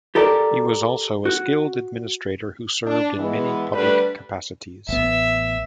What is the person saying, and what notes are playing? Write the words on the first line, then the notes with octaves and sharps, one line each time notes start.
He was also a skilled administrator who served in many public capacities.
G4 A4 A#4 D5
F#4
D4
E3 G#3 B3
D3 G3 A3 D4 B4
A1 B3 E5